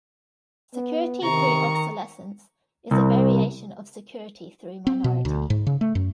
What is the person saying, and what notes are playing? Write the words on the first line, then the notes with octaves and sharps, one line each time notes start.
Security through obsolescence is a variation of security through minority.
B3
C3 D#3 A#5 C#6
C2
C4
B2
D2
G#2
C#3
A3
F#2